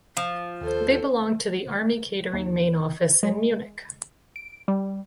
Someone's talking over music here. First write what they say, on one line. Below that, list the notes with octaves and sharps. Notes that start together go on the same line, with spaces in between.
They belonged to the Army Catering Main Office in Munich.
F3
D#2 A4 C5
D#2
G#3
D7
G3